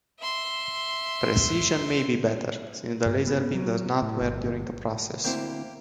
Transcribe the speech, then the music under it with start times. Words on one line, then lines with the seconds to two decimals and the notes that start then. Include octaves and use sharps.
Precision may be better, since the laser beam does not wear during the process.
0.20 E5 C6
3.06 G2
3.27 B3
3.55 F#3
4.02 A2
4.22 G1
5.24 D2 A#3 C4 E4 G4